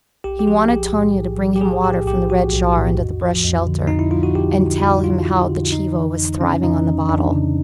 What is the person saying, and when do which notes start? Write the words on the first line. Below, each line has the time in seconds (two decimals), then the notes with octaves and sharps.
He wanted Tonia to bring him water from the red jar under the brush shelter, and tell him how the /chivo/ was thriving on the bottle.
0.24 B1 G4
0.39 G4
0.47 F3 G#4
0.70 B1 G4
0.93 A2
1.16 B1
1.39 F3
1.56 G4
1.61 B1 G#4
1.84 A2 G4
2.07 B1 G4
2.30 F3 F#4
2.53 B1
2.76 A2
2.98 F2
3.21 F3
3.44 F2
3.67 D3
3.87 F2 D#4
3.99 E4
4.11 F3 F4
4.23 F#4
4.35 F2 G4
4.58 D3
4.81 F2 F#4
5.04 F3 F4
5.27 F2
5.49 D3
5.72 F2 D#4
5.95 E3
6.18 F2
6.41 C#3 C#4
6.64 F2 D#4
6.86 E3
7.09 F2 D4
7.32 C#3